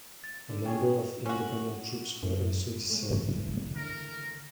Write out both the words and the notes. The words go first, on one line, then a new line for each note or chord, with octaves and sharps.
A number of independent troops were also dissolved.
A6
D3
C#4 G#4 C#5 G5
C#4 F#4
F#2
E2 G#3 A3
D3 A#4